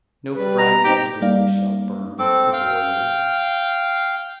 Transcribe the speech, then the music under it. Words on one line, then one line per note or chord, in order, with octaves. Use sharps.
No fragments merely shall burn with the warrior.
G3 B4
A#5
G2 C4 D#4 G4
G3 A#3 D#4 D5 F5
C4 A4 D6
F5 G5